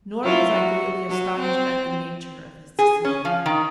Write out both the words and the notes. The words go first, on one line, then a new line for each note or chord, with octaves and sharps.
Nor was I greatly astonished at the nature of his decision.
F#3 E4 F4
F#4
F#3
C4
G#4
C#4
F3
D#3